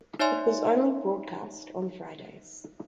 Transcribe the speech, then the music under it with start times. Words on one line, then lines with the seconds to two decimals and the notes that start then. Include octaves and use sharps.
It was only broadcast on Fridays.
0.19 D#4 C#5 D5 E5 G#5 C6